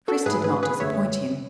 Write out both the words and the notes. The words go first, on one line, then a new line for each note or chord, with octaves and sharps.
Chris did not disappoint him.
F#4 A4
G#2 F#3 A3 G#4 B4
G#4 B4
G#4 B4
F#2 D3 F#3 A3 C#5 E5